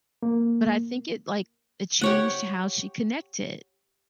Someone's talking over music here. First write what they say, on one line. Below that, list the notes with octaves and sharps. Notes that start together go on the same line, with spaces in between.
but I think it, like it changed how she connected.
A#3
G4 C#5 F#5